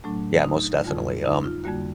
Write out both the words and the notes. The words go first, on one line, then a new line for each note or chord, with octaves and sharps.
yeah, most definitely, um
A2 F#3 A3 D4
D#4
F2 D3 G3 F4
D#4
F4
F2 D3 G3 A#3 F#4